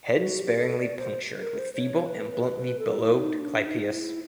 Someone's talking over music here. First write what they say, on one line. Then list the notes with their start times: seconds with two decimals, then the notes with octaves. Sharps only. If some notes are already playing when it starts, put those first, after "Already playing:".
Head sparingly punctured with feeble and bluntly bilobed clypeus.
0.18 F#4
0.39 G4
0.59 A4
0.78 D5
0.98 C5
1.38 A#4
1.58 C5
1.73 C5
1.78 C#5
2.06 B4
2.32 B4
2.59 B4
2.79 A4
2.99 E4
3.18 D#4
3.39 D4
3.66 D#4
3.92 E4